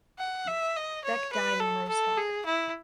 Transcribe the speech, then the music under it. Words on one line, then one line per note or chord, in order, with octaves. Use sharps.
Beck died in Rostock.
F#5
E5
D#5
C#5
B4
A4
A4
G#4
E4